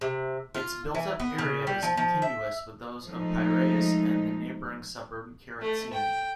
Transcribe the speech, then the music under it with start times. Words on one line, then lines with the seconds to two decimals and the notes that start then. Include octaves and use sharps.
Its built-up area is continuous with those of Piraeus and the neighbouring suburb Keratsini.
0.01 C3
0.55 F4
0.95 E3
1.20 B3
1.38 C#3
1.67 G3
1.83 F3
1.97 F3
2.22 E5
3.06 F3 G#3 A3 D#4
5.62 A3
5.93 G5